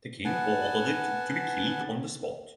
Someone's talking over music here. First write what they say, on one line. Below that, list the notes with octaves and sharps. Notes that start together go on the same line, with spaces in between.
The king ordered it to be killed on the spot.
B3 F#5 G#5 A5